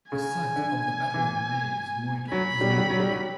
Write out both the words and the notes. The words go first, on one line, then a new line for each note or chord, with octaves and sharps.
The site of the Battle of Maes Moydog is nearby.
C#3 G#5
D3
E3
F#3 B5
G3
F#3
G3
F#3
G3
F#3